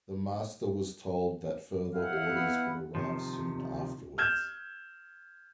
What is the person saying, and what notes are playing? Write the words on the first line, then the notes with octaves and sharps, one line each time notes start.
The master was told that further orders would arrive soon afterwards.
E4 F5 F#5
B3
C3 D#3 F3
F6 G6 G#6 E7